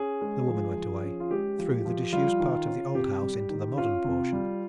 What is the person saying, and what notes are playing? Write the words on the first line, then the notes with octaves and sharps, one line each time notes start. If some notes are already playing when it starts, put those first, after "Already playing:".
The woman went away--through the disused part of the old house into the modern portion.
Already playing: C#4 G#4
G#3
F3
F3
C#4
F4
G#3 G4
F3
F3
G3 F4
D#3
C#4
C3 G4
G3
D#3
C#4 F4
C3
G3